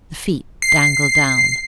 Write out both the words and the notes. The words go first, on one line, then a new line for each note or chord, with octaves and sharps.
The feet dangled down.
C7